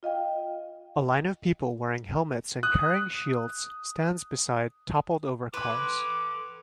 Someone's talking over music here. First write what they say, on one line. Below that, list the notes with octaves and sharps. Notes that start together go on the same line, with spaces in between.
A line of people wearing helmets and carrying shields stands beside toppled over cars.
F4 D#5 F5 G5
D#6 F#6
A4 B4 C6 D6